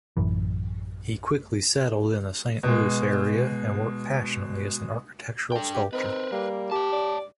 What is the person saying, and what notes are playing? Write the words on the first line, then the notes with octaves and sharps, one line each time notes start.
He quickly settled in the St.Louis area and worked passionately as an architectural sculptor.
A1 F#2 E3
B2 G#3
D4 A4 G5
G4
C4 D#4 A#4 B4
G3 A#3
G4 C#5 A5
D5